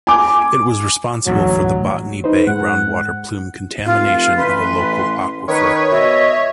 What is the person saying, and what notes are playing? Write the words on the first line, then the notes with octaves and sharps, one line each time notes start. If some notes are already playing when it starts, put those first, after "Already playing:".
It was responsible for the Botany Bay Groundwater Plume contamination of a local aquifer.
G#5 D6
A1 D2 G#2 F#3
D#4 B4 C5
G#2 F#5
F1 F4
A1 B4 C6
D#3 B4 C#5
B2 D#5 E5